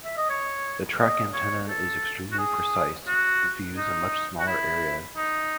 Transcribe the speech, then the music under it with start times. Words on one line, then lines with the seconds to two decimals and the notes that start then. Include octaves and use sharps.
The track antenna is extremely precise, but views a much smaller area.
0.05 E5
0.17 D#5
0.30 C#5
0.99 D#5
1.34 C#5
1.68 A4
2.32 F#4
2.38 G#4
3.07 F#4
3.77 D#4
4.39 F#4
4.47 E4
5.16 D#4